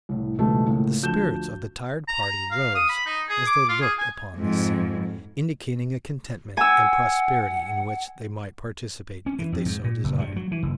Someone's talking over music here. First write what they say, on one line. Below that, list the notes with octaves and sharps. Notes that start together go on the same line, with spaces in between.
The spirits of the tired party rose as they looked upon this scene, indicating a contentment and prosperity in which they might participate if they so desired.
C2 A2
C#2 G#2 B2 E3 G3 A3
C#2 A2 A3 A#3
D2 F3 D4 F#4 G6 E7
A#5
A#5
F5
D#6
B5
D#4
G#4
D6
F4
G#4
G#5
F2 G#2
F#5 G#5 E6
C#4
E3
F2
G#2
A#2
F#1
G2
F#3
E3
F#1